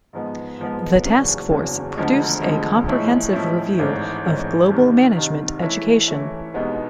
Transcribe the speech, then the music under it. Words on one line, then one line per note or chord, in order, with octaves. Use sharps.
The task force produced a comprehensive review of global management education.
G#2 F3 G#3 B3
G#2 F3 G#3 B3
F#1 E2 C#3 F#3
F#1 E2 C#3 F#3
E1 D2 D3 F3 G#3
E1 D2 D3 F3 G#3
A2 F3 G#3 C#4 E4
A2 F3 G#3 C#4 E4
G#1 G#2 E3 A3 C#4
G#1 G#2 E3 A3 C#4
C2 C3 D#3
C2 C3 D#3
E3 A3 C#4 E4
E3 A3 C#4 E4
C2 B2 G#3 B3 D#4